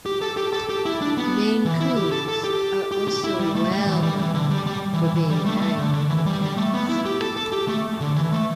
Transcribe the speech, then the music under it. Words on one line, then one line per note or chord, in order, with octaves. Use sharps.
Maine Coons are also well known for being very vocal cats.
G4
A4
G4
A4
G4
E4
D4
B3
E3
E4
G4
A4
A4
G4
G4
G4
E4
G3
A3
G3
E3
G3
E3
D3
G3
G3
E3
E3
E3
G3
A3
G3
A3
D3
D3
E3
G3
G3
A3
B3
E4
G4
A4
A4
G4
A3
D3
E3
A3